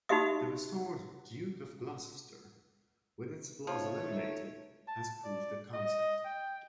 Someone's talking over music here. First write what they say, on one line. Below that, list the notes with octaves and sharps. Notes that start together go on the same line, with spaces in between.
The restored "Duke of Gloucester", with its flaws eliminated, has proved the concept.
D#4 F#4 G4 E5 D#6
F3 A3 D#4 C#5
A5
D5
D#5
G5